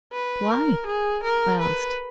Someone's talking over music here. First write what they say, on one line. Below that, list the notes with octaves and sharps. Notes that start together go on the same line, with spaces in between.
"Why?" I asked.
B4
A#4
G#4
A#4
B4